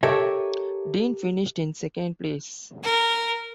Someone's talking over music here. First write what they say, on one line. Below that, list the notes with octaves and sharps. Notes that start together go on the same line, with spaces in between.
Dean finished in second place.
G4 A4 A#4 C#5 D#5 E5
A#4